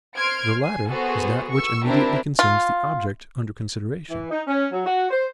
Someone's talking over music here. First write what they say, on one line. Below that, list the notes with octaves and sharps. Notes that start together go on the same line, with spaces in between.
The latter is that which immediately concerns the object under consideration.
C5 C6 F6 G#6 D7
G#5 C7
B3 F#4 G#4 A4 C5
C#6 E6
C4 D4 E4 G4 A#4
F4
E3
D#4
C#4
F#3
F#4
C5